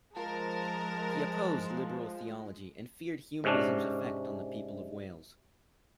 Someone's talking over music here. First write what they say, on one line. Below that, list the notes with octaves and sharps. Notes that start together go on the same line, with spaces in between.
He opposed liberal theology and feared humanism's effect on the people of Wales.
F3 G#3 A#4 A5
G#2 C3 C#4 D4